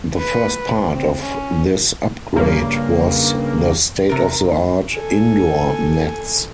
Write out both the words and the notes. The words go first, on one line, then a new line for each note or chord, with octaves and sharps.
The first part of this upgrade was the state-of-the-art indoor nets.
B4
C4
C#4
G2 C#3 A#3
C3 A#4
A4 G#5